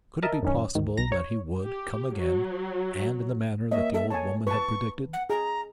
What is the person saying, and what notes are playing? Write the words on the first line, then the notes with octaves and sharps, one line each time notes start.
Could it be possible that he would come again, and in the manner that the old woman had predicted?
A#4 D#5 E5 A5
F#2 D#3 C#4
D2 G#2 D#3
B1 A#5 A#6
C#5
G4
F#3
A#3 C#5 D#5 E5
A4 E5
C#5 G#5 A5
B4 A5 C#6
F#5
G#4 A#5